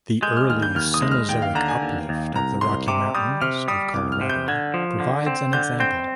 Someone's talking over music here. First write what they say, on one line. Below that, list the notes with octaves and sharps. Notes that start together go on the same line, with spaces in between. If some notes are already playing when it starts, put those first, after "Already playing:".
The early Cenozoic uplift of the Rocky Mountains of Colorado provides an example.
G#3 G6
F6
D#2 F6
G6
D#2 F6
D#6
G#3
F6
D#2 G5
F5
D3 A#5
G#5
D#2
D#2
C2 A#5
C2 C6
C3 D6
G3 D#6
C3 F6
G3 D#6
C2 D6
F6
C3
G6
D3 G#6
F3
D3
C4
D3 G6
C4 G6